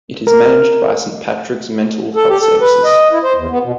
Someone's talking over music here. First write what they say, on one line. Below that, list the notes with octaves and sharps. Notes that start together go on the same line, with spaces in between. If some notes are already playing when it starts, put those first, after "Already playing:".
It is managed by St Patrick’s Mental Health Services.
A#4
A4
G4
A4
B4
D#5
E4
C5
E2
B3
B2